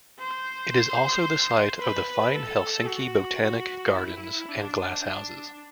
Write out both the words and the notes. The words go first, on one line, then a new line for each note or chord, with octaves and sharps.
It is also the site of the fine Helsinki Botanic Gardens and glasshouses.
C5
B4
A4
F#4
F#4
E4
D4
D4